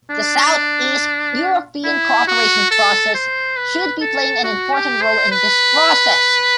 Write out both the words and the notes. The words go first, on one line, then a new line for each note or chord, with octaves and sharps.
The South-East European Cooperation Process should be playing an important role in this process.
D4
E4
F#4
A4
C5
B4
A4
F#4
G4
C5
B4